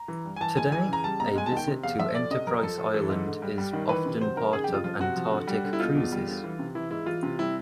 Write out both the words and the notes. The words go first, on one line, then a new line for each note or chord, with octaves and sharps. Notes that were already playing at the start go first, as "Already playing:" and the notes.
Today, a visit to Enterprise Island is often part of Antarctic cruises.
Already playing: A#5
E3
G2
G#5
E3 A5
G#2 G#5
E3 G#5
C#3 A#5
G3 A5
B2 A#5
G#3 G#5
A5
D#3 G5
C3
E2 F5
F3 E5
A2 D5
C3 D#5
F2 A#4
F3 A4
A2
E3
G#2
D3
G2
G3
D#3
E3 B4
C3
F#3 C5
D#3 A#4
C#3 G#4
F2 G4
F4
F3 F4
C3 F#4
F3
D3
G3
D3
E4
B2 F4
E2
G3
D3
E3
C3
E3 E4
G#2 E4
E3 F4
C3
G3 E4